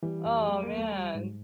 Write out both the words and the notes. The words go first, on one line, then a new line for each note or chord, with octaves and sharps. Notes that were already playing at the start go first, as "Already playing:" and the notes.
Oh man.
E3 G3
F2
F#3 G#3
A#3
D#2
A3
G3
G#2